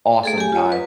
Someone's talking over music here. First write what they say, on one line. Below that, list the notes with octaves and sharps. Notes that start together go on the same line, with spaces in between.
awesome guy,
A3 G#4 A4
G4 G#5
F4 C#5
B4